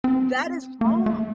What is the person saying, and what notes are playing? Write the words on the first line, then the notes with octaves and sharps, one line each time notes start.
that is wrong.
C4
A#3
A3
A3